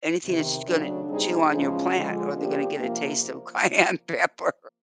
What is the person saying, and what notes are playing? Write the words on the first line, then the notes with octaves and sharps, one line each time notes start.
anything that's gonna chew on your plant or they're gonna get a taste of cayenne pepper.
E2 C3 D#3
C#3 F#3 A3 D4
B2 G3 C4 D#4 G#4
E2 C#3 F3 G#3 C#4
D3 F3 G#3
F3 A#3 D4 G4
C3 F3 A#3